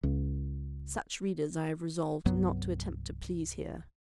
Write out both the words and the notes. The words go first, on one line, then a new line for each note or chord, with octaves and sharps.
Such readers I have resolved not to attempt to please here.
C#2
C2 G2 F#3 B3